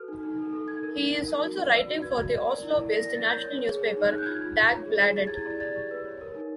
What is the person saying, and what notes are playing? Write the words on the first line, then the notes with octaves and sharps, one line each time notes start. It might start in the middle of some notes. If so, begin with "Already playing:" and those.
He is also writing for the Oslo-based national newspaper Dagbladet.
Already playing: F#4 A4 B4 F6
D#4
D#4
A4
A4
D#4 G#6
A#4
A#4
D#4
A#4
F#4
D5
B4
F#4
B4 G#6
F#4
D5
A#4
E4
D5
A#4 A#6
D5 A#6
A6
A#4 G6
C#5
C#5
G#4
G#4
D#4
F6
D#4 F#6
G6
F4 G#6
F4
F4
C#5
G#4
G#4
G4 A6
E4 G#6
A6
D5 G#6
D5 A6
G4
B4
C#5
A#4
D#4